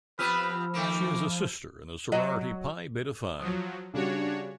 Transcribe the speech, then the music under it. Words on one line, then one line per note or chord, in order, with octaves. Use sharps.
She is a sister in the sorority Pi Beta Phi.
F3 B3 C4 G4 B4 B5 E6 F6
D#3 A3 A#3 D6
F#3 F#4 D#5
F3 F#3 D#6
C#3 G3 D4 F#4 C#5